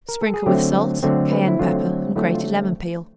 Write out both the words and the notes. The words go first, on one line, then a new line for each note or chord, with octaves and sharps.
Sprinkle with salt, cayenne pepper and grated lemon peel.
A#4
A4
G#4
D3 F#3 A3 C4 G4
D3 F#3 A3 C4
B4
E4
D3 F#3 A3 C4 F4
D3 F#3 A3 C4 E4
F4